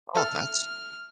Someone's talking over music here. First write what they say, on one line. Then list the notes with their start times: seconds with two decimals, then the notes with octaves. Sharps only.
Oh, that's
0.15 A3 A4 F6